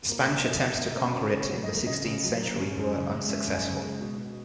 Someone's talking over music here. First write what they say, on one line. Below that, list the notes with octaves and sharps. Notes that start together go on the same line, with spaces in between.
Spanish attempts to conquer it in the sixteenth century were unsuccessful.
A#3
C#4 E5
B2 D#5
E5
B2 D#5
E5
D#5
A#3 E5
D#5
C#4
C#3 C#5
C#3
C#5
F#3
D#5
A#3
C#3 D#5
C#3
F#3
A#3
C#4
F#2
C#3
G#3
C#4 E5
F#2
C#3
G#3
B2
B2